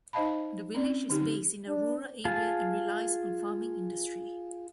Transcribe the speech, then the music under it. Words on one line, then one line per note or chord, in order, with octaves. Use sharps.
The village is based in a rural area and relies on farming industry.
D#4 C5 D#5 F5 A5 B5
C4 C#4 D5
D3 D#4 G4
D4
F4 G#4 A5